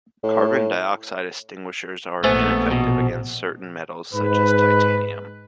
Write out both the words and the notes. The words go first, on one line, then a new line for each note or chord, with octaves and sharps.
Carbon dioxide extinguishers are ineffective against certain metals such as titanium.
A2
A#1 A#2 A3 B3 C5 G#5 A6
B2
G#2 B4